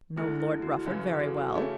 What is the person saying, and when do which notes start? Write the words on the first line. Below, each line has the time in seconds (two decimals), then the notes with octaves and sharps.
"Know Lord Rufford very well!"
0.17 D2 D3 G#3 E4
0.40 E4
0.62 F#4
0.79 E4
0.86 F#2 C#3 E3 F#4
1.03 G#4
1.20 F#4 A4
1.37 F#4 A4
1.55 C#3 E3 A3 C#4 G#4